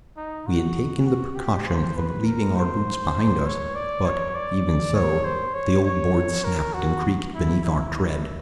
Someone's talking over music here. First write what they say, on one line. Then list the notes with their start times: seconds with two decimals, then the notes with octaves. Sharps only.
We had taken the precaution of leaving our boots behind us, but, even so, the old boards snapped and creaked beneath our tread.
0.17 D#4
0.47 F#4
1.06 F#4
1.35 G4
1.66 C5
1.96 B4
2.25 A#4
2.56 C5
3.45 C#5
3.75 D5
4.05 C#5
4.35 D5
4.95 C#5
5.25 C5
5.54 C#5
5.84 C#5
6.44 A#4
6.74 F#4
7.35 E4
7.64 E4
7.94 E4